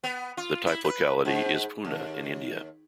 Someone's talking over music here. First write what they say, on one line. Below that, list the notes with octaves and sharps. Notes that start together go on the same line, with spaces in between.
The type locality is Pune in India.
B3
F4
E4
B4
G#2
D#2